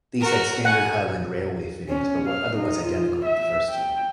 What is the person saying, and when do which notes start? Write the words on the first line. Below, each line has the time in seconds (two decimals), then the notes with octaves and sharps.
These had standard Highland Railway fittings but were otherwise identical to the first two.
0.21 F#4 A#4
0.65 F#5 G#5
1.89 C#4
2.26 F5
2.56 D#4
2.85 F4
3.26 E5
3.70 G5